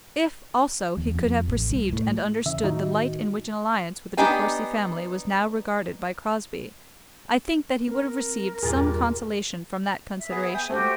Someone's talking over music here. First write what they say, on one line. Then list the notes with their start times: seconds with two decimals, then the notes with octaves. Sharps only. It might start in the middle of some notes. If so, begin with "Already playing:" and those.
If, also, he could have perceived and understood the light in which an alliance with the De Courcy family was now regarded by Crosbie, I think that he would have received some consolation from that consideration.
0.97 E2
1.14 F2
1.48 A1
1.70 C2
1.93 A2
2.46 E2 A#2 C#3 E3 E5
2.64 A2 D#3 D#4 F#4
4.17 B3 D4 D#4 G4 G#5
7.88 C4 A#4
8.63 E2 G2 A#2 G#4 A6
10.17 E5
10.30 B3 G#4
10.54 G5 G#5 D#6
10.69 A3 F#4 G4 C5